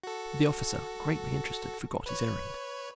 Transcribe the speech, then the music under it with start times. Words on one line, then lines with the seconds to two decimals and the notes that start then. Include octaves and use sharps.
The officer, greatly interested, forgot his errand.
0.03 F#4 A4
2.06 B4 C#5